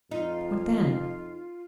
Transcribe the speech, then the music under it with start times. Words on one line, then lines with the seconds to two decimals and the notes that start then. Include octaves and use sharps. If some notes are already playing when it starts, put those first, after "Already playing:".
"What then?"
0.11 F2 D#4 F4